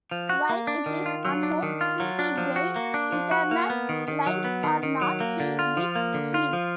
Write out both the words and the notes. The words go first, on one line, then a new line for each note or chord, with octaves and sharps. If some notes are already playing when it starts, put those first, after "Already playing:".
While it is unknown if he gained eternal life or not, he did heal.
F3
F#4
A#3
D4
D#3
F4
F#3
D4
D#3
F4
F#3
D4
F3
F#4
A#3
D4
F3
F#4
A#3
B3
D#3
D#3
F#3
B3
D#3
D#3
F#3
A#3
D3
F4
F3
A#3
D3
F4
F3